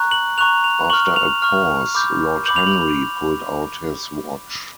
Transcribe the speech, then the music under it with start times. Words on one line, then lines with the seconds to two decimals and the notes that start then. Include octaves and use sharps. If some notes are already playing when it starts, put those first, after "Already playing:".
After a pause, Lord Henry pulled out his watch.
Already playing: A#5 C#6 F#6
0.11 F#7
0.38 A#5 C#6 F#6 F7
0.64 F7
0.90 C#6 F6 F#7
1.16 F7
1.42 C#6 F6
1.95 B5 D6 G6
2.46 B5 D6 G6 F#7
2.56 F7
2.67 F#7